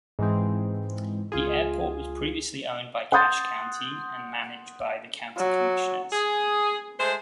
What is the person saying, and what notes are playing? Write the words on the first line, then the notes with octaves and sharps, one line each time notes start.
The Airport was previously owned by Cache County and managed by the County Commissioners.
G#2 E3 G#3 C4
C#2 F4 G#4
F#5 C6 D#6 G6 A6
F#3
G#4
G#3 A3 C5